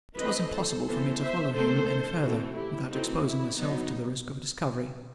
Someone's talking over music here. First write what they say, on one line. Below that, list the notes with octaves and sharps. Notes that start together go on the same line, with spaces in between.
It was impossible for me to follow him any further, without exposing myself to the risk of discovery.
E3 A3 C4 B4 D#5
A4 C5
E3 B3 A4 C5
C5 E5
D#3 A3 C4 A4 C5
E3 A3 C4 F#4 A4
E4 G4
E3 A3 C4 D#4 F#4
E4
F#3 B3 D#4